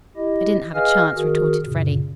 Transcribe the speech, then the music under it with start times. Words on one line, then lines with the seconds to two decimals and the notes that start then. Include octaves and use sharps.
"I didn't have a chance," retorted Freddy.
0.16 E4 G4 D#5
0.74 G#4 B4 D#5 F5 G#5 F6
1.15 D#3 F#4 G#4 A#4
1.64 F#2 A#2 C#3